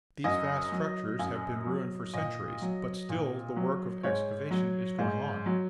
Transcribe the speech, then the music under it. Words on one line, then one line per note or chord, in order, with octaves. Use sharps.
These vast structures have been ruined for centuries, but still the work of excavation is going on.
F#2 D#5
F#3
F#2
F#3
A#2 D#5
F#3
A#2
F#3
G#2 C#5
F#3
G#2
F#3